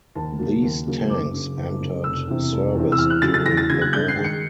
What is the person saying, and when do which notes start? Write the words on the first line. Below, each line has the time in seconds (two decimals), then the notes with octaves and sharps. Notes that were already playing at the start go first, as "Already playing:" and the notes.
These tanks entered service during the war.
0.15 D#2 A5
0.39 C#3 F#3 A#3
0.63 D#2
0.86 C#3 F#3 A#3
1.10 F#1 D6
1.33 F#2 C#3
1.57 F#1
1.80 F#2 C#3
2.04 F1 E6
2.28 E2 C3
2.52 F1
2.75 E2 C3
2.92 E6
2.98 E2 F6
3.10 F#6
3.22 C#3 F#3 A6
3.34 A6
3.46 E2 A#6
3.57 A6
3.69 C#3 F#3 G#6
3.81 F#6
3.93 G2 G6
4.08 C7
4.17 D#3 G#3
4.24 C#7